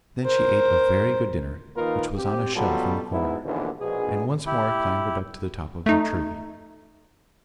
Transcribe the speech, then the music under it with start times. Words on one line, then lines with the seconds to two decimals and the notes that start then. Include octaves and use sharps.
Then she ate a very good dinner, which was on a shelf in the corner, and once more clambered up to the top of her tree.
0.24 A#4 C5
1.76 D#3 A#3 D#4 F4 A#4 B4
2.17 C4 G4
2.55 B2 F#3 G3 B3 F4 A4
3.12 G#2 B2 E4
3.44 A#1 D#2 G#2 B2 D3 E3
3.80 A#1 B2 G#4
4.46 E4 G4
5.86 A3 D#4